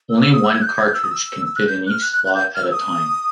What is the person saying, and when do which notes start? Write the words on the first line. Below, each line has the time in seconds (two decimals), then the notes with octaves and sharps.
Only one cartridge can fit in each slot at a time.
0.11 E6
0.34 D#6
0.44 E6
0.55 G#6
0.62 F#6
0.66 G6
0.78 G#6
0.87 G6
0.94 E6
1.04 D#6
1.12 E6
1.46 E6
1.56 F#6
1.68 G6
1.86 F#6
1.91 F6
2.02 F#6
2.12 F#6
2.24 F#6
2.35 G6
2.55 F6
2.63 E6
2.72 D#6